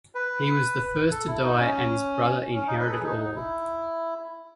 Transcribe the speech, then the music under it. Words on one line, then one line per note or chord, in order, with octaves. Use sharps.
He was the first to die and his brother inherited all.
B4
A4
E4
D#4
C#4
C#4
D#4
B4
A4
G#4
D#4
D#4
E4